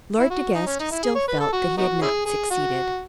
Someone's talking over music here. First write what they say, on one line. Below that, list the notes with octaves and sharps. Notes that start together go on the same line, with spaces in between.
Lord De Guest still felt that he had not succeeded.
E4
F#4
D#4
C#4
D#4
E4
G#4
C#5
B4
A4
F#4
B3 D#4 F#4
C#4 E4 G#4
G#4
F#4